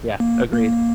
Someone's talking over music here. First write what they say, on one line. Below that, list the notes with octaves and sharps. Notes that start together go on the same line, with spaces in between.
Yeah. Agreed.
A#3
A#3